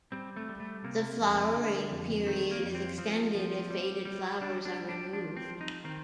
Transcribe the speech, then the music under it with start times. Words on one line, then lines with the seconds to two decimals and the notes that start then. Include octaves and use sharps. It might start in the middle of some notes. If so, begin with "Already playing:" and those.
The flowering period is extended if faded flowers are removed.
0.12 G3 C4
0.37 A3
0.49 G3
0.60 A3
0.84 C3 A#3
1.20 F2
1.55 D3
1.91 F2
2.27 D#3 C4
2.51 A#3
2.63 F2
2.75 C4
2.98 F3 C4
3.35 F3
3.70 G3
4.05 G3
4.41 G3 D4
4.65 D4
4.77 G3
4.89 D4
5.13 F3 D4
5.37 C4
5.48 F3
5.61 D#4
5.85 D#3 C4